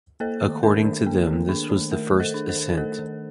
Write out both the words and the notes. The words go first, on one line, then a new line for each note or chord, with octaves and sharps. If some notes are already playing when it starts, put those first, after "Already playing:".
According to them this was the first ascent.
A#3 A4 C5
D#3
D4 A#4
D#3
A#3
D#3
D4
D#3
A3 A#4
D#3
A4 C5
D4
A4 C5
D#3
A3 A4 C5
D#3